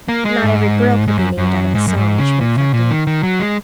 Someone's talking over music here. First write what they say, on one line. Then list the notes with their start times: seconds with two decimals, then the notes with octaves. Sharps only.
Not every girl could be named out of a song, she reflected.
0.09 A#3
0.25 G#3
0.42 G#2
1.08 G#2
1.18 F#2
1.38 F#2
1.75 G#2
1.88 F#2
1.96 G#2
2.19 C#3
2.41 A#2
2.58 C#3
2.74 A#2
2.91 D#3
3.07 D#3
3.23 F#3
3.40 G#3